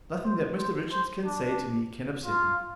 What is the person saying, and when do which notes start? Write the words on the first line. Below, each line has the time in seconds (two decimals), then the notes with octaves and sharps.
Nothing that Mr Richards can say to me can upset me.'
0.24 C5
0.58 C5
0.92 C5
1.26 D4
2.26 F4